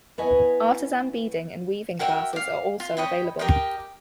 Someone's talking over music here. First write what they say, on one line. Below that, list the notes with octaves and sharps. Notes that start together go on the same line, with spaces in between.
Artisan beading and weaving classes are also available.
B3 E4 B4 C#5 D#5 G#5
F#4 A#4 E5 G5
F5 D6
F4
C#5 D#5 G5 B5
G4 A#4 D#5 G5